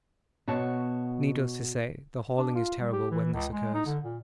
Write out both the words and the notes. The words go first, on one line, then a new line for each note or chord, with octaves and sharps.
Needless to say, the hauling is terrible when this occurs.
B2 F#4 C#5 A5
D4
F4
G3
G4
E3
C#2
G#3
D#4
D3
A#2